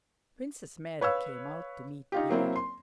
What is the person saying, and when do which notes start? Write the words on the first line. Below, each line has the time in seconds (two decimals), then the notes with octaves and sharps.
Princess Mary came out to meet Pierre.
1.01 B4 C#5 F5 E6
2.12 D#4 F4 G4
2.29 F#3 A#3 C4 E4
2.56 C6